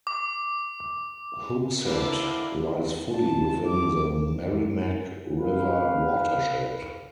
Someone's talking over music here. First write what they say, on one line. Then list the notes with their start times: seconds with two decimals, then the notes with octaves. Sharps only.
Hooksett lies fully within the Merrimack River watershed.
0.07 D6
1.85 D3 A#3 D4 E4 C5
3.14 A5
3.67 D6
5.36 B4 F5